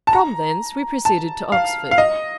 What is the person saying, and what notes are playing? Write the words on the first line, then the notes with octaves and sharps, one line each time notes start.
From thence we proceeded to Oxford.
A5
A#5
A5
F5
F5
D#5